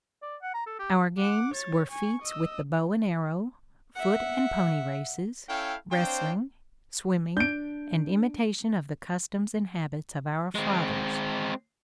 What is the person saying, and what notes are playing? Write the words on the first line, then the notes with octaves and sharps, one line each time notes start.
Our games were feats with the bow and arrow, foot and pony races, wrestling, swimming and imitation of the customs and habits of our fathers.
D5
F#5
A#5
A4
G4
F#5 D6
C#5 A6
G#5 C#6
D#5 E6
E5 F#5
C#4 E4 A4 F5 G5
C4 D4 C5 C#5 F5 G5
D4 G6 D7
G#3 C4